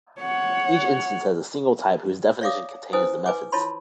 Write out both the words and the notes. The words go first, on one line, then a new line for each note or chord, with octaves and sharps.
Each instance has a single type whose definition contains the methods.
C#5 F#5
C#5 D5 E5 F5 D6 D#6
C#4 E4 B4 C5 G#5 D#6
B4 G#5 D6
E4 F4 C#5 A5 B5 C6